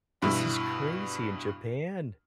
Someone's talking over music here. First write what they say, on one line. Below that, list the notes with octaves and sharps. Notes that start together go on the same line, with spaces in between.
This is crazy! In Japan?
G2 B2 E4